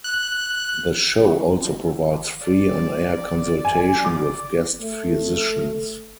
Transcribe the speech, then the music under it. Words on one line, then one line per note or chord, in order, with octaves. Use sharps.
The show also provides free on-air consultation with guest physicians.
F#6
D5
G#5
D6
A3